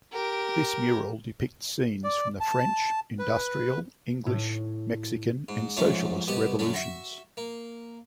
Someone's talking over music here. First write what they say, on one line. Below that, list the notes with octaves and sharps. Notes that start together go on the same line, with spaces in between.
This mural depicts scenes from the French, Industrial, English, Mexican and Socialist Revolutions.
G4 A#4
D5
A5
B4
A2
G#2
F2 G#2 F#3 A3 C#4
C2 B2 G4 D#5
F#2 D3 F#3 C#4
F#4 E5
A#3